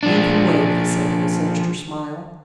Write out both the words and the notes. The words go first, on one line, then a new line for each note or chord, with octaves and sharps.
"You can wait," he said with a sinister smile.
F3 D4